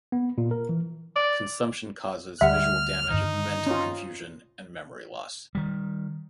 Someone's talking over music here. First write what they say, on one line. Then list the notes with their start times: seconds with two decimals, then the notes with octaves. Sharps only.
Consumption causes visual damage, mental confusion, and memory loss.
0.12 B3
0.38 A#2
0.51 A#4
0.69 E3
1.16 D5
2.41 D2 G3 E5 F#5 F6
3.10 G2 D3 D#3 D#4
3.66 C#4 F4
5.55 D#3 G3